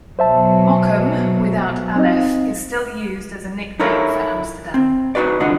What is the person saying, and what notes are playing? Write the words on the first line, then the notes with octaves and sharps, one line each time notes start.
"Mokum", without "Aleph", is still used as a nickname for Amsterdam.
B2 F#3 C5 E5 A5
C4 D#4 D#5
D#4 E4 A4 A#4 C#5
C4
D#4 F4 F#4 B4 D5
C2 D3 D#4 F4 F#5